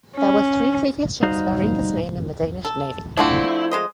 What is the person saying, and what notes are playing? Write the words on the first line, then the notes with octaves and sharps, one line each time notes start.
There were three previous ships bearing this name in the Danish navy.
C#4
G3 D#4 F#4 C5 D#5 F5
A4
D3 F3 A3 C4 D4 E4
G#3 C5 D#5